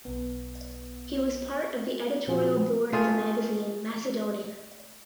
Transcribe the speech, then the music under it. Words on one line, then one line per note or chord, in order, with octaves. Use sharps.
He was part of the editorial board of the magazine "Macedonia".
B1 B3
A#2 F3 F4 F#4 G#4
A3 F4 G#4